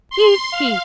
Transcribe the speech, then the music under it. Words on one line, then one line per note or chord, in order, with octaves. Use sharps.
He! he!
C6
F5